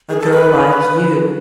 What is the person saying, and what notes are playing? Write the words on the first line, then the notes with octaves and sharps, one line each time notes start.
A girl like you.
G#4
A4
B4